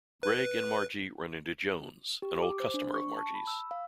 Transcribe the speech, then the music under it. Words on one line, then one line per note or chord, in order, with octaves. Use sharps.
Gregg and Margy run into Jones, an old customer of Margy's.
B4
G4
D6
C5
D4
C#6
A5
B5
E6
F5